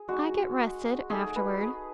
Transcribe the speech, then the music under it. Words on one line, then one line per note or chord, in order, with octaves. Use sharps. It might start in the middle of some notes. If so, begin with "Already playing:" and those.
"I get rested--afterward."
Already playing: G#4
G#3 D#4 F#4
A3 D#4 G#4
B4
G#4